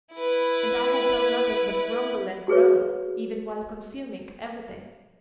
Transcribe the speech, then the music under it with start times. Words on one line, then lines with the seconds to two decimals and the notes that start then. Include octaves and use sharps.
And I had done nothing but grumble and groan, even while consuming every thing.
0.15 E4 B4
2.48 F#4 G#4 B4 C#5